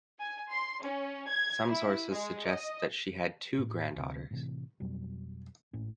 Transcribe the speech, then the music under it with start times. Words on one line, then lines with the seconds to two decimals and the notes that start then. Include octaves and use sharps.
Some sources suggest that she had two granddaughters.
0.21 G#5
0.52 C6
0.83 C#4
1.28 G#6
1.70 E4
2.12 G#3
2.47 D#5
3.59 A2
3.96 D2 C3 C4
4.31 A2 C3 E3
4.80 F2 B2 F#3 G3
5.73 G#1 A2 C#4